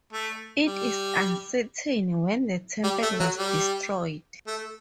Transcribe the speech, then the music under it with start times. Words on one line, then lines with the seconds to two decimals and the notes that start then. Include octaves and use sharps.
It is uncertain when the temple was destroyed.
0.13 A3
0.66 G3
2.84 G3
3.02 A3
3.20 F#3
3.39 G3
4.47 A3